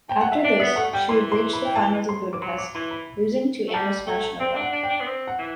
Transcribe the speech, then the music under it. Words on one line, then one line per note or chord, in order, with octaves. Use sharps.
After this, she would reach the finals of Budapest, losing to Anna Smashnova.
G5
F#5
E5
D4 D5
B3 E5
A3 F#5
G3 G5
E3 C6
C6
B5
G5
A5
C6
D6
F#3 C6
D6
E3 C6
B5
A3
G3 A5
A3 G5
C4 G5
D4
F#5
D4
G5
D4
B3
C4
F#5
E3